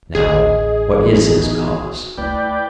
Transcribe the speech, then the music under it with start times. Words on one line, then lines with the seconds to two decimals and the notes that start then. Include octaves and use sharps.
Now, what is his cause?
0.15 A1 G#4 D#5
0.99 E3 B3 D#4 F#4
2.18 D2 E4 B4 D5 G5